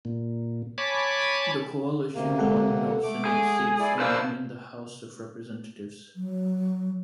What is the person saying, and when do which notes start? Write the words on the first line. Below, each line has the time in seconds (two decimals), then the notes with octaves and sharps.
The coalition won no Senate seats and one in the House of Representatives.
0.05 A#2
0.78 C#5 G#5 A5 B5 D6
2.15 D2 C3 A#3
2.38 G#3 A4 F#5
3.03 A3 D6
3.26 G#4
3.80 E4 D5
3.99 A#3 D4 B4 C5 F5 E6
6.16 F#3